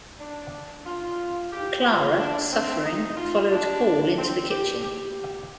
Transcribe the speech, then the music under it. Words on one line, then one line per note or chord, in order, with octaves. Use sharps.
Clara, suffering, followed Paul into the kitchen.
D4
F4
G4
F4
D4
C4
D#4
F4
D4
C4
G4
G4